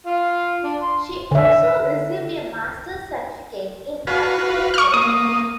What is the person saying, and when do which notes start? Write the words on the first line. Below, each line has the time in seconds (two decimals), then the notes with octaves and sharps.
She also received a Master's certificate in Architecture.
0.07 F4 F5
0.63 D4
0.82 C6
1.31 D3 E5
4.07 F#4 B4 F5
4.74 C#6 F6
4.94 A#3 D#6